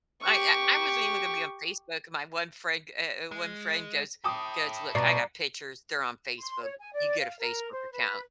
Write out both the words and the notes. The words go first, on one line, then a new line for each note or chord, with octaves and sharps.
I I I wasn't even gonna be on Facebook, my one friend uh, one friend goes goes, "Look, I got pictures, they're on Facebook, you get a Facebook account."
G4 C#6
G#3
E4 A4 G5 D6 D#6
B2 D5 A#5 C7
C6
C#5
G#5
D5
F5
A#4
C5
B4